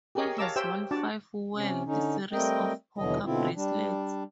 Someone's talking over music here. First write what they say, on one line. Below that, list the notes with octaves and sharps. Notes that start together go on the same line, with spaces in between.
He has won five World Series of Poker bracelets.
G4 G#4 A#4 C#5 D#5
C#5 F5 A5 A#5 D6 E6
G4 C5 C#5 E5 G5 E6
D4 F#4 D5 A5
C3 C#4
D3 C#4 D#4
G3 A3 C4 A#4 D#5 G5
D#2 B2 D3 E3 F#3 D#5
B2 D3 C4 E4 F4
G3 D4